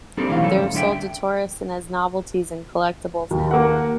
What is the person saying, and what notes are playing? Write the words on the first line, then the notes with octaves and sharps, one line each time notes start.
They are sold to tourists and as novelties and collectibles now.
G3 A#3 C4 D4 D#4 A4
B2 E3 A3 C4 F5
F#3 C#4 A4
D2 G#2
F#2 D3 F4 E5 G5
D#2
A#3 F#5